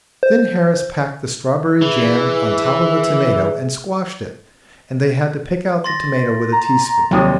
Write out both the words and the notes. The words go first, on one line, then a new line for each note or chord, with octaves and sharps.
Then Harris packed the strawberry jam on top of a tomato and squashed it, and they had to pick out the tomato with a teaspoon.
C5
E3 G#4 E5
C6 A6 A#6
A#5
F1 D#2 F#3 D#6